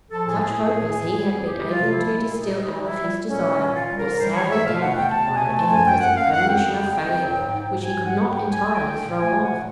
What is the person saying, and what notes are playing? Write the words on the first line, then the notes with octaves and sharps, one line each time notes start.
Such hope as he had been able to distil out of his desire was sadly dampened by an ever-present premonition of failure, which he could not entirely throw off.
F3 A4
A2 G#4
A2 G#4
A2
A2
A2
F2
G3
F2
F2 G4
G3
F4
C3
F3 E4
G#3
A#2
A#2 D#4
G#3
A#2
G3 E4
G3
G3
A#2 C#4
G3
A#2
E3 F4
G3
A#4
G#2
G3 C5
E3 C#5
G#2 E5
B2 F5
A3 F#5
E2 G5
E2 A5
B2
G#5
A3
F3 A5
F#2 G#5
F#2 G5
F#2 F#5
F#2 F5
F#2 F#5
F2 G5
C#3
F2
C#3
F2
F#3
G#2
G#2
G#2
G#2 G#5
G#2
F#5
G#2
C2 G5
F#3
G#5
C2
C2 G5
C2
A#2
A3 G#5
A3
F#5
A2